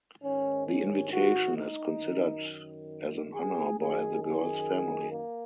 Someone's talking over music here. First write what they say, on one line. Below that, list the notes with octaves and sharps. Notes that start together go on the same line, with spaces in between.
The invitation is considered as an honor by the girl's family.
G#2 D#3 C#4
C#4
F#4
D#4
F#2 D#3
G#4
F#2 D#3 G#4
G#4
A#3